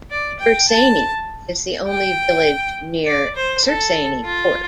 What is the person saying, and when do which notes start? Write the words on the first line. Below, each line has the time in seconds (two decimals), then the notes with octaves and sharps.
Bersaini is the only village near Sersaini Fort.
0.10 D5
0.40 G5
0.69 A5
1.88 G5
3.06 D5
3.36 C5
3.65 A4
4.25 F4